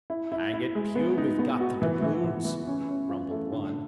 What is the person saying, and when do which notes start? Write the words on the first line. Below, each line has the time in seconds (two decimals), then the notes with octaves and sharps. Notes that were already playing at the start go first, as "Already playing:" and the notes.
"Hang it, Pew, we've got the doubloons!" grumbled one.
0.10 E4
0.32 E4
0.53 E4
0.75 G#3
0.95 B3
1.18 D#4
1.39 B3
1.61 F#4
1.82 E3
2.02 E3
2.24 E3
2.45 E3
2.67 C#4
2.89 C#4
3.09 F4
3.31 A3
3.52 D3